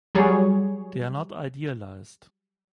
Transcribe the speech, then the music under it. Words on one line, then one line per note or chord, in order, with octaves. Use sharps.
They are not idealized.
F#3 G3 G#4 C#5